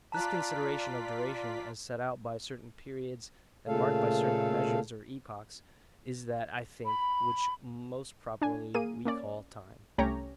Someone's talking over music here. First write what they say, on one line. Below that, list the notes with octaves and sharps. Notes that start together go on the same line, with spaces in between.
This consideration of duration, as set out by certain periods and marked by certain measures or epochs, is that, I think, which most properly we call TIME.
F4 D5 A5 A#5 F#6 B6
A#2 C#3 A3 A4 F5
B5
D4 G#5
A#3 G#4 D#7
A#3 C#4 D5
C2 A3 C#4 G4 C#5 A#5